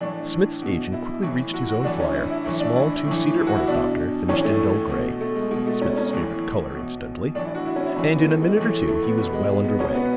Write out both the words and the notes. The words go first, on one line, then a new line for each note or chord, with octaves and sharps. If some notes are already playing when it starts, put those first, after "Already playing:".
Smith's agent quickly reached his own flier, a small two-seater ornithopter finished in dull gray--Smith's favorite color, incidentally--and in a minute or two he was well under way.
A2 E3 D4
B2
E4
A2 E3
F#4
F#4
A2 E3 D4
C#4
E4
E4
A2 E3 E4
D4
E4
A2 E3
F#4
E4
B2 D4
A2 E3 C#4
A3
B2
A3
G#3
B2 G#3
A3
C#4
C#4
A2 E3
B2
A2 E3 D4
E4
F#4
E4
C#4
E4
A2 E3 C#4
B3
A3
G#3
A2 E3 A3
A3
A3
B3
B2 B3
G#3
G#3
B3
B2 C#4
B3